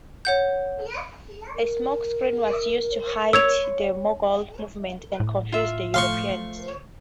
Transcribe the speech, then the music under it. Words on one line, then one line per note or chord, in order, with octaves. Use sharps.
A smokescreen was used to hide the Mongol movements and confuse the Europeans.
C#5 F#5 G6
A#4
C#5 E6 G#6 F7
A2
F4 E5
F3 A3 A4 F5 C6 C#6